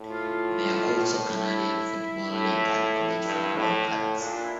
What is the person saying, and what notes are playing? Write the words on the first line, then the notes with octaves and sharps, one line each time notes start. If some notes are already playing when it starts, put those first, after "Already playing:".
There are also Canadian Football League and college football cards.
Already playing: A2
F4
E4
A2
G2
A2
A2
A#2 D4
E4